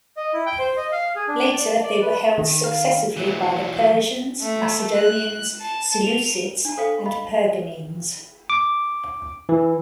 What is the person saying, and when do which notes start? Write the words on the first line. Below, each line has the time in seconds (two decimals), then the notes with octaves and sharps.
Later they were held successively by the Persians, Macedonians, Seleucids, and Pergamenes.
0.17 D#5
0.34 E4
0.46 G5
0.59 C5
0.77 D#5
0.92 F5
1.16 G#4
1.28 D4
1.53 D5
1.66 A5
1.83 D5
2.02 B4
2.38 D#3
2.64 F5
3.16 E3 F#3
4.42 A3
4.96 F#6
5.60 A5
6.03 F7
6.65 D4 A5
6.78 A4 C5 F5 G5
7.06 D#5 F5 B5
8.50 D6
9.49 E3